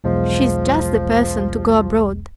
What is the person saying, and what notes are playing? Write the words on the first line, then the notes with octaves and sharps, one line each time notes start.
"She's just the person to go abroad."
B1 E2 F3 G#3